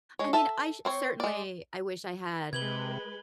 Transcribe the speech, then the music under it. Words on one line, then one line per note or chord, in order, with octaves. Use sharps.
I mean, I sh certainly, I wish I had
G#3 C#5
A4 E5 A5
C4 C5 C#5
G#3 D5
C3 G#3 B4 G#6 F#7 G7